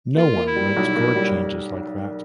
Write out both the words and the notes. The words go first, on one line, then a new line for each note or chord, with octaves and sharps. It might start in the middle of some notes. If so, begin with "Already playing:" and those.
No-one writes chord changes like that.
A#3 F4
A#3
E4
G3
B1
A#3
G3